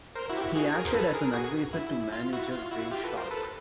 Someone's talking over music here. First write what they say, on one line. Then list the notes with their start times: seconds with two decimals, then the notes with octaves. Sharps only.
He acted as an advisor to manager Ray Schalk.
0.15 A#4 C5
0.30 E4 F#4
0.37 G4
0.41 E4 F#4
0.55 F#4 G#4
0.74 G#4 A#4
0.87 C5
0.94 A4 B4
1.14 G#4 A#4
1.33 F#4 G#4
1.73 E4
2.12 F4
2.33 E4 F#4
2.52 F4
2.71 E4 F#4
2.91 F4 G4
3.04 A4 B4
3.17 A#4 C5
3.31 A4 B4